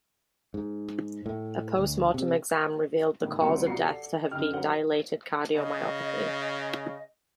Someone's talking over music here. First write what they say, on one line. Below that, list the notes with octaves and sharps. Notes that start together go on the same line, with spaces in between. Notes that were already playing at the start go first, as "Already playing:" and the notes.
A post-mortem exam revealed the cause of death to have been dilated cardiomyopathy.
G#2
A2
D2
C3
G1 A2 D#3
D2 F#3 G3 C4 E4 C#7
C2 F3 F#4 C7 C#7
A4 D5 F#5
F#2 D3 D#5 G5 F6
F#3 B4 C#5 F#5 G7
C#3 D#5